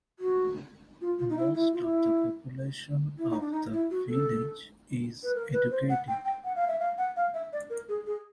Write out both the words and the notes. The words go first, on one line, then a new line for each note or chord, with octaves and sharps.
Most of the population of the village is educated.
F#4
F4
F4
D#4
E4
E4
F4
E4
E4
D#4
D4
D#4
E4
F#4
A4
B4
A#4
B4
C5
F#5
G5
G5
F#5
F5
E5
F5
F#5
F5
E5
D5
A#4
G#4
G#4